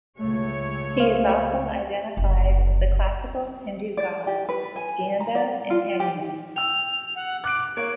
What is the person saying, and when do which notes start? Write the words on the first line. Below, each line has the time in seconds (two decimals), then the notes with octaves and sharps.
He is also identified with the classical Hindu gods Skanda and Hanuman.
0.18 C#2 A3 C#5
0.98 C5 F5
2.17 F#1 D2
3.97 D5
4.27 G4
4.49 B4
4.76 G#5
5.20 A#5
5.35 D5
5.70 F4
6.00 G4
6.56 G5 E6 F7
7.15 F#5
7.44 D6 F#6 D7
7.77 A#3 C#5 D7